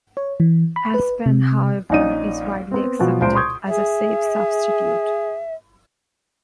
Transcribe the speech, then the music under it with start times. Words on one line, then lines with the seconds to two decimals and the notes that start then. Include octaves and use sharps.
Aspen however is widely accepted as a safe substitute.
0.17 C#5
0.40 E3
0.76 B5
0.94 B4
1.26 C3
1.90 A#1 C#4 D#4 D5 D#7
2.71 B3 C4
2.99 B2 F3 F#3 B3
3.21 C#2 A#2 C5 D7
3.35 C6 C#6 D#6 G6 G#6
3.67 G#4 E5